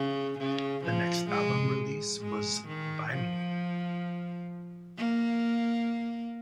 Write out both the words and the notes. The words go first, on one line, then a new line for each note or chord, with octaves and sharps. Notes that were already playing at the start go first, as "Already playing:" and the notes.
The next album release was Buy Me...
Already playing: C#3
C#3
F3
G#3
G#3
D#3
F3
A#3